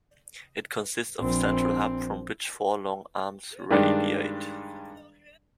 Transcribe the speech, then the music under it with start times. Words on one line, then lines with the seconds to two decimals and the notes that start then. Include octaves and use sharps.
It consists of a central hub, from which four long arms radiate.
1.20 A#1 C4
3.71 G2 D#3 G3 G#3 D4